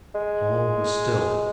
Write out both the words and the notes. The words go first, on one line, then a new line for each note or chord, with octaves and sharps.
All was still.
G#3